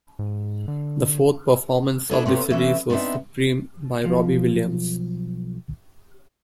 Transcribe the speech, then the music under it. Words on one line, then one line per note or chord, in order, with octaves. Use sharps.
The fourth performance of the series was "Supreme" by Robbie Williams.
G#2
D3
D4 E4 G#4 A4
C3 B3 C4 C#5
E3 C#4 E5
B3 C4 D4 D#4 E5
B1 F3